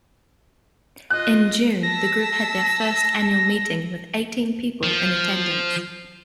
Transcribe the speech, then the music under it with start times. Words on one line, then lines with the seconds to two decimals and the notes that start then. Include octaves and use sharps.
In June the group had their first Annual Meeting with eighteen people in attendance.
1.10 F4 D#5 F#6
1.83 A5 E6 A#6 B6
4.83 F3